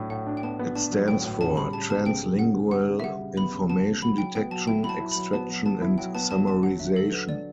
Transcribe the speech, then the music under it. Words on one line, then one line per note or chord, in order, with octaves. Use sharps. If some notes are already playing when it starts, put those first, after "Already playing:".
It stands for Translingual Information Detection, Extraction and Summarization.
Already playing: A2 F#3 D4
A2 F#5
D4
G5
B3 A5
B3
D4 A5
F#3
A2 G5
A2
C#3 A5
G3 B5
C#3 A5
B3 A5
C#3 G5
C#3
C#3 F#5
C#3
G3 F#5
C#3
E5
G3 F#5
C#3
B3 B5
C#3
B3 A5
C#3
F#3 B5
F#3 G5
B3 G5
F#3 A5
E4 G5
F#3 B5
A5
E4
B5
F#3
B3 A5
F#3
B3 A5
E4
F#3 G5
B3 A5
F#3 A5
F#3 A5
F#3 F#5
D3 E5
D3 A4
F#3 B4
D3 D5